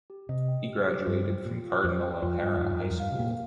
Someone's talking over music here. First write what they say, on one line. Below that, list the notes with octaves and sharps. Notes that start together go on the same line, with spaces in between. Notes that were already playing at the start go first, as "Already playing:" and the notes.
He graduated from Cardinal O'Hara High School.
G4
C3 D#5
G5
G4
G4
G2 C5
G5
A#2 F4
F4
F2 C5
G5
F2 F4
G2 F4
F2
G2 D#4
F2
G2 A#4
F2
G2 F5
C3
A#2 A#3